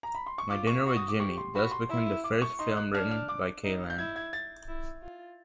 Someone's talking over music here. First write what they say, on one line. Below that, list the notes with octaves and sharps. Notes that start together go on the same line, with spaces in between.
"My Dinner With Jimi" thus became the first film written by Kaylan.
A#5
B5
C6
C#6
F4 D6
C#6
F#4
D#6
D6
G4 C#6
C6
F#4 B5
C6
E4
D6
C#6
D#4 C6
F#6
D4 F6
F6
D6
D#4
G6
E4 G#6
G#6
A6
E4
F4